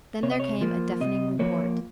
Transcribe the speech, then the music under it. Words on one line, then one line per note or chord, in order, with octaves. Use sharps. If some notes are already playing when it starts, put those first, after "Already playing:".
Then there came a deafening report.
C3 C#5
D#5
C#5
F3 A#3
C3 D#5
F3 A#3 C#5